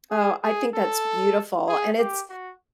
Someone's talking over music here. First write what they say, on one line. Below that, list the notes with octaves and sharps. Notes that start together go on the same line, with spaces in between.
Oh, I think that's beautiful, and it's
G#4
G#4
A4
G#4
G4
F#4